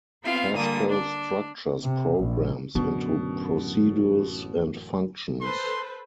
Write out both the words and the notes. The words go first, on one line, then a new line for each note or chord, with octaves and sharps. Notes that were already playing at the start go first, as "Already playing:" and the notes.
Pascal structures programs into procedures and functions.
B3 C4 F4 E5 F5
A#2 D3 G3 A#3 D#6
D4
C3
A#1
A1 F#2 B2 D3
A4 B4 C5 C6